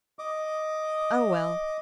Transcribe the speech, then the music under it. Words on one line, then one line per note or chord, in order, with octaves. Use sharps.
Oh, well!
D#5 D6